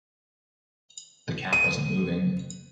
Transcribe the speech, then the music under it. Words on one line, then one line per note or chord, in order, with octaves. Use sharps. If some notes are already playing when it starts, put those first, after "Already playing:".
The cat wasn’t moving.
D#7